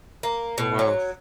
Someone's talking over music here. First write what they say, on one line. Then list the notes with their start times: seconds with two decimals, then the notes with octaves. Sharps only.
Oh, wow.
0.23 A#3
0.58 B2
0.79 F#3